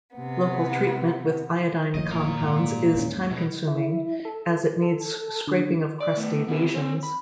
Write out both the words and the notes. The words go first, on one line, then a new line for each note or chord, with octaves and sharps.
Local treatment with iodine compounds is time-consuming, as it needs scraping of crusty lesions.
C3 B3
F#1 A2 F3 D#5
A#2 A#4
G#2
D#2 G#2 C#4
B2
E4
A4
A4
D3
D5
A3 B3
B3 C4 E4 G4 B4
C4 C5 C#5
B5